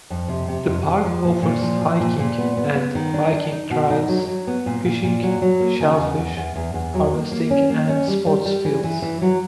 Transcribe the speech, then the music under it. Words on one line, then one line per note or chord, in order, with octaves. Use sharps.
The park offers hiking and biking trails, fishing, shellfish harvesting, and sports fields.
F2
C3
C3
F2
F2
F3
A#2
A#2
F3
F3
A#2
A#2
B3
B3
B3
D#3
D4
D4
D#4
B2
D#4
F#3
F#3
B3
A#2
A#2
A#2
F#3
F#3
A#3
C#3
E2
E2
E2
E2
E2
F#3
A#3
A#3
C#4
A#3
C#4
G3
G3
G3
E3
E3
E3
F#3